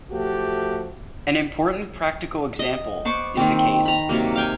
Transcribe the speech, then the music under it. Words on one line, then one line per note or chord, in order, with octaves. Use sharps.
An important practical example is the case.
F3 A3 F#4 G4
D#5
B3 C5 C#6 D6
D#3 A#3 C4
A#5 B5
C3 F#3 A#3
F5 G5 G#5